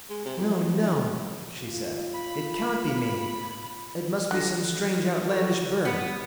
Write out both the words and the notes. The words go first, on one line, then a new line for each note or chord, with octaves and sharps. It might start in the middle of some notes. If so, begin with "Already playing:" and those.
'No, no!' she said, 'it can't be me; it must be some strange outlandish bird.'
G#3
C3
F2
F2
D3
F4
B5
D3 F#6 A#6
F#4 A4
B3